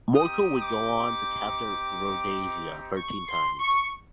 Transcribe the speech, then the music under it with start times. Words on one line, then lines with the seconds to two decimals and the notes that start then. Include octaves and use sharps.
Morkel would go on to captain Rhodesia thirteen times.
0.14 C4 D#4 G4 D#6
0.61 D6
2.95 C#6
3.26 C6
3.58 C#6